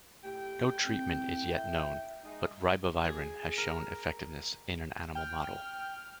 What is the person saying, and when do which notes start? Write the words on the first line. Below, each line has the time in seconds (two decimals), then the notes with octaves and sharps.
No treatment is yet known, but ribavirin has shown effectiveness in an animal model.
0.24 A2 G4 G5
0.85 C4
1.50 E5
2.24 G#3 D#4
3.05 G#4
3.58 A#4
5.15 G5 F6